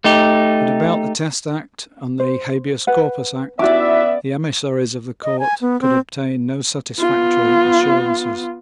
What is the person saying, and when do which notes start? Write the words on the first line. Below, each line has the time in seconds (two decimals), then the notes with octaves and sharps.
But about the Test Act and the Habeas Corpus Act the emissaries of the Court could obtain no satisfactory assurances.
0.04 A3 D#4 G4
2.20 C5
2.87 B4 F#5
3.59 B3 D#4 E4 F#4 D5 E5 D6
5.23 D#5
5.39 G#5
5.61 B3
5.81 C4
6.97 B3 F4